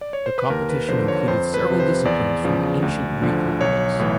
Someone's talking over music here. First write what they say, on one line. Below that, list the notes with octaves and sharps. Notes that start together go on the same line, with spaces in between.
The competition included several disciplines from the ancient Greek Olympics.
D5
C#5
C5
B4
D#2 A#4
B4
D3 F3 C5
C#5
F2 C5
B4
C3 F3
C5
E2 D5
C#3 F3
D2
D3 F3
B1 C#5
A2 E3